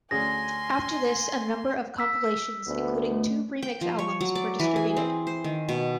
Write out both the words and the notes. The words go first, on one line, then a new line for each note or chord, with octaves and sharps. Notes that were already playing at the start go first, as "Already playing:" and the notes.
After this, a number of compilations, including two remix albums, were distributed.
D2 C#4 G#4 G#5 C6 A#6
E6 B6
D2 B3
A3
G5
F3
C#5
F#3
D5
E3
G#4
C4
C5
D#3
B2